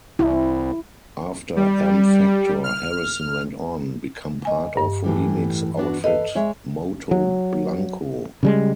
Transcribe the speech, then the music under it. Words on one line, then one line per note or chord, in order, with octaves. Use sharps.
After M Factor, Harrison went on become part of remix outfit Moto Blanco.
C2 E4
G3
F6
D#5 G#5
G2
A2 E3 G3
B3 D4 F#4
A4 B4 D#5 F5
G#3 C#5 E5
F#3
C#3 G3 G#3